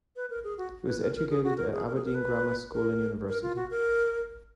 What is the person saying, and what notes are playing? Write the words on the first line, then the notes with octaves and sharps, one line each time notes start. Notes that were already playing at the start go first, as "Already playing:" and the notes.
He was educated at Aberdeen grammar school and university.
B4
A#4
G#4
F#4
B4
A#4
A#4
G#4
F#4
A#4
G#4
A#4
G#4
A#4
B4
A#4
A#4
F4
F#4
A#4